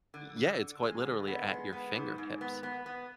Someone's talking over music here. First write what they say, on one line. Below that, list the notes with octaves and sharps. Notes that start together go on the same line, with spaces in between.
y yeah, it's quite literally at your fingertips.
D3
D3
D3
G#3
D3
B3
G#3
B3
G#2
G#2
B3
B3
B3